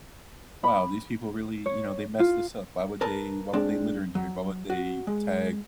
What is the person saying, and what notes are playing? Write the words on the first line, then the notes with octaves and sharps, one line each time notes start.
"Wow, these people really you know, they messed this up. Why would they why would they litter in here? Why would they tag
B5
C#5
F4
A#4 B4 A5
G#3 C4 D4
F#3
F#4
G#3